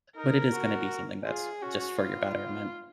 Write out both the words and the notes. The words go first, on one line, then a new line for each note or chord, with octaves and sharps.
but it is gonna be something that's just for your betterment.
D#4 A#4
F#4
F4 G#4
C#4 F#4
B3 F4